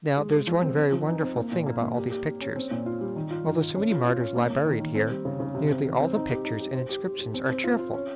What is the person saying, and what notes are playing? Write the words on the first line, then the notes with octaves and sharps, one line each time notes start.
Now, there is one very wonderful thing about all these pictures: although so many martyrs lie buried here, nearly all the pictures and inscriptions are cheerful!
G#3
G#3
F3
C4
C4
F3
D#4
C4
A#3
A#2
A#3
A#3
G4
G4
G4
C#4
C4
A#2
F4
G3
D#3
F4
D#3
F4
C#4
F4
F4
C#4
A#3
A#3
D#3
D#3
C4
G3
C#3
C#3
C3
C4
D#3
C4
D#4
G4
D#4
G4
C5
G4
G4
G4
C4
C4
F4
F4
C#4